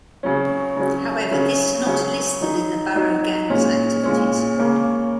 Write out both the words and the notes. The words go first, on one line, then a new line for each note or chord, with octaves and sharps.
However, this is not listed in the Barrow Gang's activities.
C#3 F#3 C#4
C#3 F#3 C#4
C#3 F#3 C#4
C#3 F#3 C#4
F#3 D#4
F#3 D#4
A#2 G#3 C#4
A#2 G#3 C#4
C#3 A#3 C#4